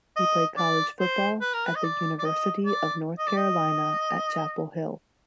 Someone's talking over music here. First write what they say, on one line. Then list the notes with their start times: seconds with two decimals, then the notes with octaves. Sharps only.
He played college football at the University of North Carolina at Chapel Hill.
0.16 D#5
0.57 D5
1.00 C5
1.41 B4
1.54 A#4
1.65 B4
1.76 D#5
1.84 D5
2.19 D5
2.25 D#5
2.66 D5
3.19 D#5
3.27 D5
3.37 D#5